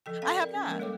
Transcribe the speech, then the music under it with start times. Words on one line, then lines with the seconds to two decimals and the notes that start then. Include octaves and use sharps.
I have not.
0.06 F3 A4 G5
0.22 C4 A4 F5 G5
0.35 A#4 D5
0.55 C#4
0.67 F3 G#3 A#3 A#4
0.80 G3 A4 C#5 G5 D6